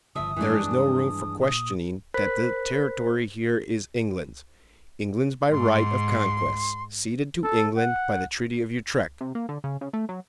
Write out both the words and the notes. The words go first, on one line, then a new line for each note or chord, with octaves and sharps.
There is no room for questioning that the territory here is England's--England's by right of conquest; ceded to England by the Treaty of Utrecht.
G1 C#3 F3 E5 D#6
G2 E3 F3 G#3 D4
A#2 D#6
A#4 C5 B5 F#6 B6
G#2 C6
A4
F#5
C3
A#3
D3
C#3
C#3
A3
F#3